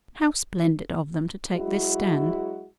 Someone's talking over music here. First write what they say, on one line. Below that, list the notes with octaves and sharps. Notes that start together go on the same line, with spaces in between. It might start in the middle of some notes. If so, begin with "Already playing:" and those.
How splendid of them to take this stand!
F#3 G#3 E4 F#4